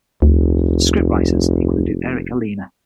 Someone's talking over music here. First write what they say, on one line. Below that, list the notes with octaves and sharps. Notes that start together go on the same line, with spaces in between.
Scriptwriters included Eric Ellena.
F1 D2